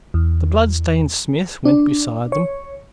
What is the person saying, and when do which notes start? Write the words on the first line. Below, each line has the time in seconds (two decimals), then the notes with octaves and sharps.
The bloodstained smith went beside them.
0.14 E2
1.65 D4
2.32 C#5